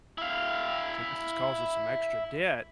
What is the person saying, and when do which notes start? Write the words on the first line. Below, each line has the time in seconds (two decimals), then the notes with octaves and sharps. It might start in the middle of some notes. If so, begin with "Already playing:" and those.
So, this is causing some extra debt,
0.18 E4 F5